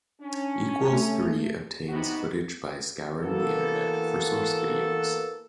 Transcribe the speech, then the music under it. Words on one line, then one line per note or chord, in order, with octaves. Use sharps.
Equals Three obtains footage by scouring the Internet for source videos.
C#4 D4
A3
C3 B3 D#4 F#4
E3 A#3 B3 F#4 A4